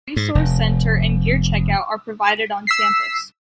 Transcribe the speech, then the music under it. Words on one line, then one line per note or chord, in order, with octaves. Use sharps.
A resource center and gear checkout are provided on campus.
G#2
F1
E6 B6 C7